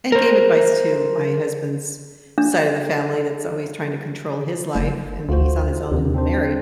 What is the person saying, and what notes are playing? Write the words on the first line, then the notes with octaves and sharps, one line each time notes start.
and gave advice to my husband's side of the family that's always trying to control his life and he's on his own and married,
A#4 C5
D4
F#1
D2 F4 F#4 C5
D#2 C3 D#3
C4 D4 C5